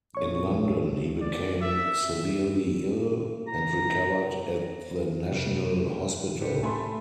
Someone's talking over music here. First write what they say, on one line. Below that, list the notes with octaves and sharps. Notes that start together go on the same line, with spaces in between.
In London, he became severely ill, and recovered at the National Hospital.
A#1 C#5 C#6
D5
E5
A#5
G1 C3
A2 C4 D4 G4 B4 C#7
A3 G#5 B5 C6